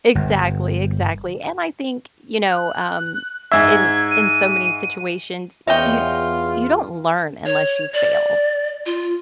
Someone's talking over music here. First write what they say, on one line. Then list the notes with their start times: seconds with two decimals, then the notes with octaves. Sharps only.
Exactly, exactly, and I think, you know, um, in in so, many situations, you y you don't learn unless you fail,
0.15 G1
2.50 F#6
3.52 G#2 E5 G#6
4.10 D#7
5.67 E2 F4 C#5 D#5 E5 G5
7.46 C#5
7.93 D5
8.86 F4